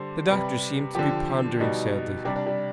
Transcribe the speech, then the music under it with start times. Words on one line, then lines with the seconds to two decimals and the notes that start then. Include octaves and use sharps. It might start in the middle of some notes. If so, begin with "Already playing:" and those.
The doctor seemed to be pondering sadly.
Already playing: D3 G3 C5
0.30 C3 G3 B4
0.95 D3 F3 G4
1.60 B2 G3 D#4
2.25 C3 G3 D4
2.36 D4
2.46 G3